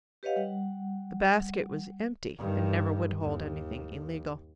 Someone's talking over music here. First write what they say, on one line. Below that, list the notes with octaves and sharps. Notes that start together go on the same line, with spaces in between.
The basket was empty, and never would hold anything illegal.
G4 B4 C#5 D#5 F5 F#5
G3 F#5
G2 D#3
D#2